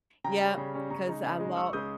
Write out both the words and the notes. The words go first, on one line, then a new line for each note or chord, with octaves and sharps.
Yep. 'Cause I los
C#3 G5 A#5
G3 C#4
C#3
G3 C#4
C#3 A#5 C#6
G#3 D#4
C#3
G#3 D#4
C#2 C#6 E6
C#3 G#3 D#6 G6